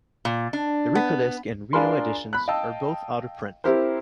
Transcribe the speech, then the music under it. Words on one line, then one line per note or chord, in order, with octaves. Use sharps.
The Rykodisc and Rhino editions are both out of print.
A#2
D4
B3
D4 F4 G#4 A#4 B5 C6
B5 F#6
D#5 F5 G5 A5 E6
C4 E4 G4 A#4 C5